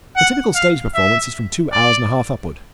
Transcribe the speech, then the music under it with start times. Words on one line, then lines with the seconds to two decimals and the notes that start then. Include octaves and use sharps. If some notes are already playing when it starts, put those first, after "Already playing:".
The typical stage performance is from two hours and a half upward.
0.16 F#5
0.56 F5
0.94 E5
1.72 D5